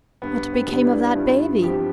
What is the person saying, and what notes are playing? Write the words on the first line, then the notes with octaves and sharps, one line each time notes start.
What became of that baby?
G2 B3
C4
D3 G3 B3 D4
E4
G2 F4
F3 C4 G4